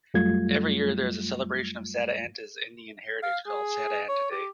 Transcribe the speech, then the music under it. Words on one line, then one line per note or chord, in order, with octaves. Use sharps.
Every year there is a celebration of Satanta's Indian heritage called Satanta Day.
F#2 F#3 G3 A3 F4 G#6
F5
G#4
C#5
G4